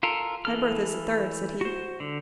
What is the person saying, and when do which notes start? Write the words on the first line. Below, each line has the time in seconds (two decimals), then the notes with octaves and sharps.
"My berth is the third," said he.
0.03 F4 A4 A#4
0.45 E3 A4 F6
1.61 F#4 C5
2.00 D3